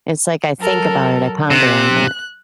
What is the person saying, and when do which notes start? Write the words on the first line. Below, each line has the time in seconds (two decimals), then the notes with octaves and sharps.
It's like I think about it. I ponder on it.
0.60 F#3 A4 A#4
1.51 C3 F#6